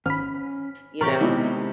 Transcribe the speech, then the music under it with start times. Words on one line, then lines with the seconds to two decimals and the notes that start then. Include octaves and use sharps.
you know?
0.06 G#1 C#4 B5 F6
1.01 A2 C3 E3 G4 A#4 C#5 D5
1.21 B2 D#3 G#3 E4